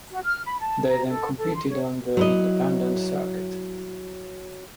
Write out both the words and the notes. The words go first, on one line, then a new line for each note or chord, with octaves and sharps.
They then competed on the Independent Circuit.
F#4
F6
B5
A5
A#5
A4
A4
C6
C#5
F#3 E4 D#5